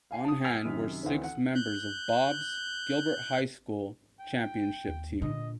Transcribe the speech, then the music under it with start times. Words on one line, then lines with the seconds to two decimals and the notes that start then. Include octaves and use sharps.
On hand were six members of Bob's Gilbert High School championship team.
0.11 F5 G#5 C7
0.25 A5 D#6
0.44 G#5 E6 F6 B6 C7 F7
0.65 F#2 C3 D#3
1.03 D2 D#3 E3 C4 C#4
1.24 F#5
1.55 F#6 G6
4.20 G5
4.89 D#2
5.22 A#2 D3 D#5